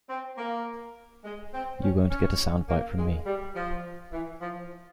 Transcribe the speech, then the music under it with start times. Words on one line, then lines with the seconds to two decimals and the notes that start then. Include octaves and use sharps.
You won’t get a soundbite from me.
0.09 C4
0.37 A#3
1.24 G#3
1.53 C4
1.82 C#4
2.10 C#4
2.68 A#3
2.97 G#3
3.25 G3
3.55 F3
4.12 E3
4.40 F3